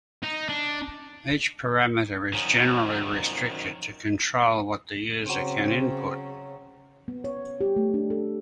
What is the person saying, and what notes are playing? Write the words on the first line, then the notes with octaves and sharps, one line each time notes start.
Each parameter is generally restricted to control what the user can input.
D#4
D4
D#3 F3 F#3 C#4 D#4
C#3 F#3 C4 C5
B3
C#5
G4
A3
D4
A4